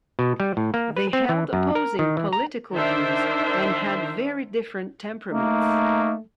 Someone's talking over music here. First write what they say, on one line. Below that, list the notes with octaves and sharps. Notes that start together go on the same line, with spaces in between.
They held opposing political views and had very different temperaments.
B2
G3
A2
A#3
B4
C4
E3
F#2
A#4
D#3
E3
A#5
D#3 D4 A#4 C5 E5
A3 A#3 D#4